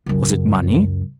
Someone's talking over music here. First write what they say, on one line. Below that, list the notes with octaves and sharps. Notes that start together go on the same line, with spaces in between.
Was it money?
C#2 F#2